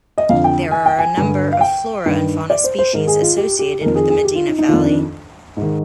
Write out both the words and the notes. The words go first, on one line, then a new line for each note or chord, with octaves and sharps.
There are a number of flora and fauna species associated with the Medina Valley.
D#5
F2 D3 F5
G5
G#5
G5
G#5
G2 D3
F5
G5
G2 D#3
D5
C5
C5
G#2 D#3 A#4
G#4
F4
G4
G4
F2 D#3 A#4
G#4
G#4
G4
F4
D#4
D#4
F2 D#3 F4
D4
G#2
D#3